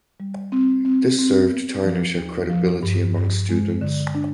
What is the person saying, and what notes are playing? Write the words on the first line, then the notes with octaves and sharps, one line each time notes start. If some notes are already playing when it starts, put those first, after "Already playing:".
This served to tarnish her credibility among students.
G3
C4
C4
C4
B3
F3
D#2
F3
G2
G2
G#3
D3
D4